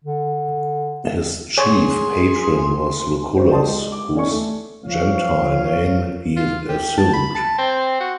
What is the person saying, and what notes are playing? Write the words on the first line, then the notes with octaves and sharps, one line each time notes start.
His chief patron was Lucullus, whose gentile name he assumed.
D3
G#4 C#5 G#5 C6
C5
G4 D5 A5 C6 D#6
G#3 D#5
D6
C#4 A4 D5 G#5 C#6
A3
F3 C#5 F5
F4
G4
A5
B5
A5
C4
F#4